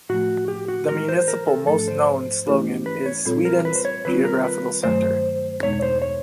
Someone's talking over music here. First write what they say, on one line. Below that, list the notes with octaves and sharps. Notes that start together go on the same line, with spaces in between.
The municipal most known slogan is "Sweden's geographical center".
A2 F3 A3 F#4
G4
F#4
E3 G#3 B3 E4 A#4
C5
A#4
A4
G#2 F3 A3 D4 A4
C5
E3 A3 C#4 E4 G4
B4
C#5
A#2 G3 C4 F4 A4
A#4
B4
C5
C#5
D#3 G3 C4 F4 B4
A#4
B4
G2 D#3 F#3 A3 C5
E2 B2 G#3 B3 D#4 C#5
C5
C#5